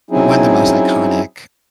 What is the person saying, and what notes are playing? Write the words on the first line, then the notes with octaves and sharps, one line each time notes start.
one of the most iconic,
F#3 C4 C#4 D#4 E4 G#4